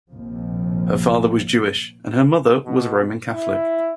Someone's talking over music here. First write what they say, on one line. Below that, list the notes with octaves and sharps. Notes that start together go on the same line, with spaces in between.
Her father was Jewish and her mother was Roman Catholic.
A#1 D#2 C3 F3
B2
E4